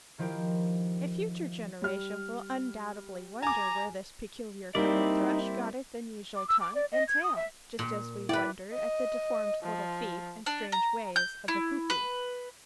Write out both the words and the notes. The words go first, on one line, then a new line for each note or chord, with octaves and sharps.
A future generation will undoubtedly wonder where this peculiar kind of thrush got his unusual tongue and tail, just as we wonder at the deformed little feet and strange ways of a cuckoo.
D#3 F3 E4 F4 G4 A#4
G3 F6
G#5 A#5 D6
G3 A#3 C4 D#4 E4 D5
D6
E6
D6
D5
D#5
G#6
D#6
E5
A#2
E4 B4 D5 G5
D#5
F3
D4
A#5
G6
E4
B4